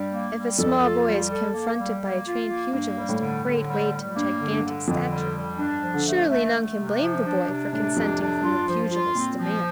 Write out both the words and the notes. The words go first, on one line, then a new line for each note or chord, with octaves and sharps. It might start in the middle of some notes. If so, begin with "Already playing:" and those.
If a small boy is confronted by a trained pugilist of great weight and gigantic stature, surely none can blame the boy for consenting to the pugilist's demands.
Already playing: G2 G3
A#3
G3
F2 A4
F4
G3
A4
A#3
G3
A#3
F4
A#3
G2 A#3
G3
A2
D3
D3
G3
G3
G2 A#3
D3
G2
D3
F2 D3
G3
G3
G2 D4
F3
D3
A3
A3
A3
C3
F3
D4
C3
A2 D4
F2 C3
D4
G2 F4
F3
F4
A#2 C4
F3